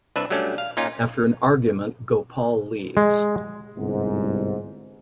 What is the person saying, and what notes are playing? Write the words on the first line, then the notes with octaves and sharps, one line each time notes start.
After an argument, Gopal leaves.
C2 D4 B4 E5
F#3 G3 A3 C#4 D4
F5
A#2 C#4 D#4 F4
G#3
G1 C2 G#2